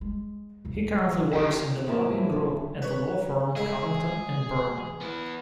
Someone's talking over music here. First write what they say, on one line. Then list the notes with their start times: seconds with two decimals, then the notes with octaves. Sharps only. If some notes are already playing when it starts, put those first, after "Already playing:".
He currently works in the lobbying group at the law firm Covington and Burling.
0.01 G#3
0.65 B1 E2
1.33 D3 E4 G4
1.87 E2 A2 F3 A#3 E4 A5
2.82 B4 C#5
3.56 G#3 E4 G#4
5.01 B3 E4